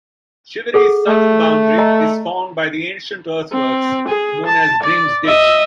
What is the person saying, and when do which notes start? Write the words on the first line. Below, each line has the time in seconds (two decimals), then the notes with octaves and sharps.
Chivery's southern boundary is formed by the ancient earthworks known as Grim's Ditch.
0.74 G#4 A4 F#5
1.07 A3
1.78 D#5 A#5
3.52 C4
4.08 G#4
4.46 A5
4.83 D5
5.26 D#5 E5